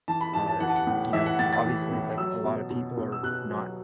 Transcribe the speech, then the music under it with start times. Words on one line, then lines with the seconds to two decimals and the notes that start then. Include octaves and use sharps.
uh, you know? Obviously, like a lotta people are not
0.08 E3 A5
0.21 B5
0.34 E3 A5
0.47 A5
0.60 E3 F#5
0.68 A5
0.76 F#5
0.87 A2
1.13 E3 E5
1.26 F#5
1.39 A2 A6
1.53 A6
1.65 E3
1.92 A2
2.18 F#3 E6
2.44 B2
2.70 B2
2.97 B2
3.12 E6
3.23 B2 F#6
3.50 F#3